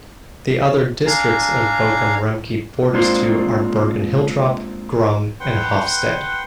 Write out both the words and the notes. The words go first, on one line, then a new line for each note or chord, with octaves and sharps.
The other districts of Bochum, Riemke borders to are Bergen-Hiltrop, Grumme and Hofstede.
D4 F5 G#5 A#5
G#3 A#3 C4 D4 F4 C5
B4 F#5 G5 C6